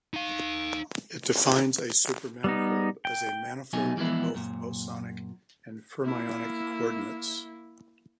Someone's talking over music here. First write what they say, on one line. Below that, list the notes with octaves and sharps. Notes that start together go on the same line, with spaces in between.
It defines a supermanifold as a manifold with both bosonic and fermionic coordinates.
D#4 F5
G3 B3 D#4
G5
C2 B2 F#3 A3 D#4 G#5
E3 F3 G#3 B3 E4
F#2 A#2
A#3 E4